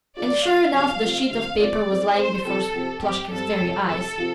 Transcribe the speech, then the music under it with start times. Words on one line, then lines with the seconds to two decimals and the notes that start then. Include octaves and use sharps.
And, sure enough, the sheet of paper was lying before Plushkin's very eyes.
0.17 F3 D4 F4 D5
0.44 F3 D4 F4 F5
0.73 C3 F3 C4 F4 F5
1.02 C3 F3 C4 F4
1.31 D3 F3 C4 F5
1.59 D3 F3 C4 D5
1.88 A2 A3 C4
2.16 A2 A3 C4 C5
2.44 C3 F3 C4 G4 A4
2.73 C3 F3 C4 G4
3.02 G2 G3 C4 G4
3.31 G2 G3 C4 A4
3.59 F2 C3 A3
3.88 F2 C3 A3 A4
4.17 C3 F3 C4 F4